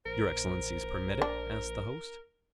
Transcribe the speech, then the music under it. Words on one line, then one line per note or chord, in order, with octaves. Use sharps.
"Your excellencies permit it?" asked the host.
A#1 A#4 C5
D4